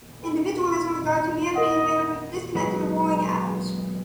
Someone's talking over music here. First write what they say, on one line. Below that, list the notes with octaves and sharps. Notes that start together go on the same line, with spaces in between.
Individualism regards humanity as made up of disconnected or warring atoms.
A#4 D#5 F#5
F#3 G#3 B3